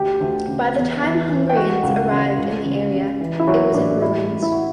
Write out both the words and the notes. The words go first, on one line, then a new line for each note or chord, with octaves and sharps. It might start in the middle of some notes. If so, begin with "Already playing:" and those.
By the time Hungarians arrived in the area, it was in ruins.
Already playing: D2 G4 G5
D2
C#3
E2
E3
E3
G5
A3 F#4 F#5
C#2
C#3
C#2
C#3
C#3
E3
E4
E3 F#3 F#4
A1 D4
A1 E4
A1
E4
F#4